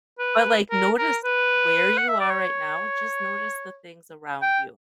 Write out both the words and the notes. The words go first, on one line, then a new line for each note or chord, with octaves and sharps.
but, like, notice where you are right now, just notice the things around you,
B4
A#4
A#4
B4
F#5
E5
D5
C#5
G5